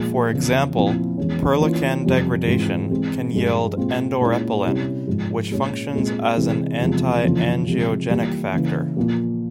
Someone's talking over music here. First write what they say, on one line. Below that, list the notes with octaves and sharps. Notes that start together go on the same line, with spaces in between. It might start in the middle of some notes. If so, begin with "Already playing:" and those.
For example, perlecan degradation can yield endorepellin which functions as an anti-angiogenic factor.
Already playing: A#2 F3 G#3
E2 C#3 F3
A#2 F3 C4 E4
E2 E3 G#3 C#4
E3 A#3 C#4 F4
F2 C3 G3
G#2 E3 G#3 C4 F4
E3 G#3 C4
G2 F3 G#3
A#2 G#3 C4 F4
A#2 G#3 C#4 E4
C3 G3 C#4 E4
G#2 F3 G#3
A#2 G#3 C#4
A#2 G#3 C4
C3 E3 G#3 C4
E2 C3 F3 G#3
F2 C#3 E3 A#3 F4
C3 F3 G#3
E3 G3 A#3 F4
C#3 E3 A#3
A#2 F3 A#3